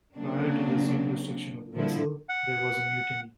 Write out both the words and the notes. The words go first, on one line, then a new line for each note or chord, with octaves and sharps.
Prior to the assumed destruction of the vessel, there was a mutiny.
C#3 F#3 A#3 C4 D4
A#2 D3 F3 G3 E4
F#5